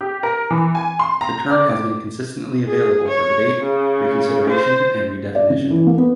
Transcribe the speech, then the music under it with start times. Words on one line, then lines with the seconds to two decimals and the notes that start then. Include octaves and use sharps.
The term has been consistently available for debate, reconsideration, and redefinition.
0.01 G4
0.23 A#4
0.50 E3
0.75 G#5
0.99 C6
1.21 A#5
1.50 D5
1.69 D6
2.67 G#4
3.09 C#5
3.63 C#3
4.50 C5
5.35 D5
5.50 C#3
5.70 E3
5.87 A#3
5.98 B3